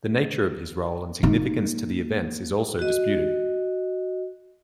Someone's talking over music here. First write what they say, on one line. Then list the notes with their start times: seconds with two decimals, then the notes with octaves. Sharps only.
The nature of his role and significance to the events is also disputed.
1.23 A#3 D#4
2.79 F#4 D#5